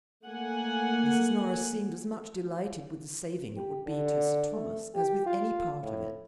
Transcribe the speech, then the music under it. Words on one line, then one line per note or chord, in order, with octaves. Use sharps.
Mrs. Norris seemed as much delighted with the saving it would be to Sir Thomas as with any part of it.
A3 A#3 F#5 G#5
G4
D3
A3
G4
F4
A2